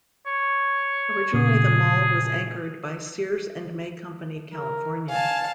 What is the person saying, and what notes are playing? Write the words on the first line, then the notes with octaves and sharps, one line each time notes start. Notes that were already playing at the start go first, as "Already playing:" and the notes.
Originally, the mall was anchored by Sears and May Company California.
C#5
A#2 C#3 G#4
A#4
F5 G#5 A5